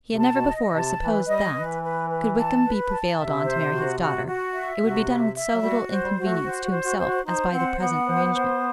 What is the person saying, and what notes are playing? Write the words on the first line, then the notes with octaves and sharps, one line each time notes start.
He had never before supposed that, could Wickham be prevailed on to marry his daughter, it would be done with so little inconvenience to himself as by the present arrangement.
C3
A5
B2
D#5
C3 A5
E3 B4
G3 D#5
E3 B4
B4
B4
A5
B4
A5
C3 E5
C5
F#4
F#4
F#4
E5
C3 F#4
E5
E5
F#3
G3 F#4
C5
G3
F#4
A3
C5
F#4
C5
F#4
C5
F#4
D#4 C5
C4 F#5
B3 F#5
C5
C5